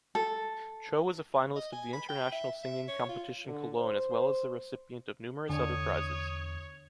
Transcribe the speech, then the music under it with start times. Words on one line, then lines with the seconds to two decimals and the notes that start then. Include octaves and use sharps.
Cho was a finalist of the International Singing Competition Cologne as well as the recipient of numerous other prizes.
0.15 A4
1.56 D#5
1.72 G#5
1.93 B5
2.09 G5
2.32 E5
2.63 E5
2.88 C#5
3.09 F4
3.45 D3
3.76 C5
5.49 E2 D3 D4 C#5 D#6